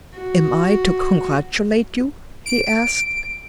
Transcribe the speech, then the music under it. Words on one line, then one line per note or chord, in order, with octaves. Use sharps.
"Am I to congratulate you?" he asked.
F#4
D7